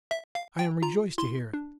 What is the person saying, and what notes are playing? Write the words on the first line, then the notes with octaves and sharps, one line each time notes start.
I am rejoiced to hear it.
E5
F5
G5
F4 A#5
E4 C6
D4